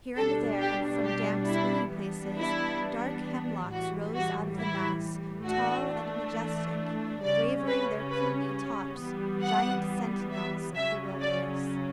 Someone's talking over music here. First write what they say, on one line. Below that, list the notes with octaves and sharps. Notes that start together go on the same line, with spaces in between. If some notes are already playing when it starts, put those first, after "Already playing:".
Here and there, from damp, springy places, dark hemlocks rose out of the mass, tall and majestic, waving their plumy tops, giant sentinels of the wilderness.
B2 G3 D4 A4
G4
G4
E4
E3 G3 B3 D4
E4
A2 E3 G3 F#4
F#4
E4
E3 A3 D4 F#4
C#3 G3 C#4 D5
B4
B4
E3 G3 B3
F#5
E5
C#3 F#3 C#4 E5
D5